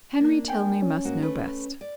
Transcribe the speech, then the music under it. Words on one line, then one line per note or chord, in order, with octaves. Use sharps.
Henry Tilney must know best.
A#3 D4
A#4 G5 G#5
C#4
G#2 A#3 F#4
A3 B4
D5